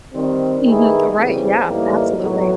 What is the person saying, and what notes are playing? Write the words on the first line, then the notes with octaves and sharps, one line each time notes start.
Mhm, uh, right, yeah, absolutely.
D#3 G3 C4
D#3 G3 B3 E4 G#4
E2 C#3 E3 G3 C4
A2 E3 G3 A#3 D#4
B1 A2 F#3 B3